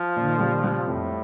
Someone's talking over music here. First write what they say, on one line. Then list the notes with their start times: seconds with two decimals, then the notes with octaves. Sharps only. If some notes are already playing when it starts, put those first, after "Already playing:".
Oh, wow.
Already playing: F3
0.17 A#2
0.40 G3
0.64 G3
0.87 F2 A2